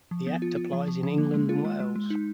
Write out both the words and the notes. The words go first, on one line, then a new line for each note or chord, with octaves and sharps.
The Act applies in England and Wales.
F3
B3
F4
F4
F3
F3
F3
A#3
G#3
F4
G#3
G#3
G#3
D#4